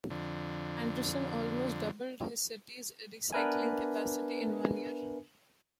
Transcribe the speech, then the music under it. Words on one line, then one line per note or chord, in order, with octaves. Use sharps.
Anderson almost doubled the city's recycling capacity in one year.
F2 D3
B3 D4 A#4 B4 E5 G#5